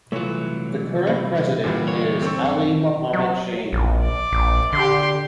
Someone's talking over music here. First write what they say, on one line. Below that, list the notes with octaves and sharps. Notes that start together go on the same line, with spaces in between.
The current President is Ali Mohamed Shein.
C2 E3 F#3 A3 F4 C#5
G2 C#4 F#4 B4
G2 A#2 D3 E3 G3 B4
C#5
C4 A4 C#6
F#2
F#3
A#1
D5
A#1
D3 G4 C6